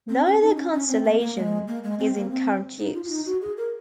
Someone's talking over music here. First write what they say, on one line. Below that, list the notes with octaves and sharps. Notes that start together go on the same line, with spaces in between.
Neither constellation is in current use.
C4
C#4
D#4
C#4
C#4
C4
A#3
A#3
G#3
A#3
G#3
C4
A#3
C4
D#4
F4
F4
D#4
F#4
G#4
A#4